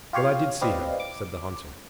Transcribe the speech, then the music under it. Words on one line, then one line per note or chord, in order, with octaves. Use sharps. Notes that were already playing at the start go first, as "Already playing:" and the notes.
"Well, I did see her," said the hunter.
F4 G4 C#5 F5 F6
C4 G4 B4 D5 D#5 F5
D6